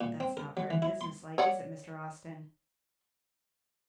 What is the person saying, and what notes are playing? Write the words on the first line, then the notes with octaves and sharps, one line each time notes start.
That's not very business-like, is it, Mr. Austin?
A#2
C4
A#4
F#3
E3
E4
C6
C#5 D5 F#5